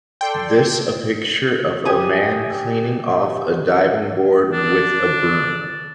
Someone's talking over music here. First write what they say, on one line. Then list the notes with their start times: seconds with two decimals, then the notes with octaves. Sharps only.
This a picture of a man cleaning off a diving board with a broom.
0.21 A4 D5 G5 C6
1.85 G4 G#5 D#6
4.53 D4